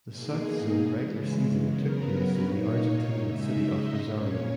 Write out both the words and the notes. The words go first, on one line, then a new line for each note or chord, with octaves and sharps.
The South zone regular season took place in the Argentinian city of Rosario.
B2 A#3 D#4 G#4
C#3 E3 G#3
C#3 F#3 B3 A#4
B4
A#2 A#3 D#4 C#5
C#3 G#3 D#4 E5
D#5
A#2 A#3 C#4 C#5